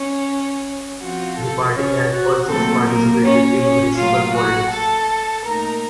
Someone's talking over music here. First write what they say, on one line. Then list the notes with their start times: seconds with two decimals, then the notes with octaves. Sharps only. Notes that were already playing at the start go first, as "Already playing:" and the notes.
The party has also participated in municipal politics.
Already playing: C#4 C#5
1.00 F3 C4 F4 F#4
1.37 A4
1.75 C#4 C#5
2.12 F#4
2.49 A#2 F#3 A3 C4 A4
2.86 A#3 A#4
3.23 C#4 C#5
3.60 C#4 C#5
3.97 A2 F#3 A#3 F4 F5
4.34 F#4 F#5
4.71 A4 A5
5.45 A#2 A3 D#4 A#4 A#5